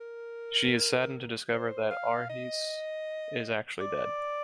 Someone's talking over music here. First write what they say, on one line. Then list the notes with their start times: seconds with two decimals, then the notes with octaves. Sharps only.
She is saddened to discover that Arhys is actually dead.
0.01 A#4
1.52 C5
1.91 F5
2.30 D#5
3.81 D5